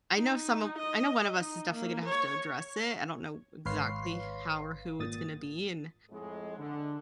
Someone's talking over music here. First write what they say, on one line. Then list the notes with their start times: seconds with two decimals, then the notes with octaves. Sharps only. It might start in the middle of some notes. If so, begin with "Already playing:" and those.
I know some of I know one of us is definitely gonna have to address it. I don't know exactly how or who it's gonna be, and
0.14 D#4
0.79 D#5
1.39 D#4
1.73 A#3
2.06 C#5
3.65 G#1 B4 C#5 F5 C6 C7
4.99 G#1 A#2 D#6 A6
6.10 F2 A2 G#3
6.57 D3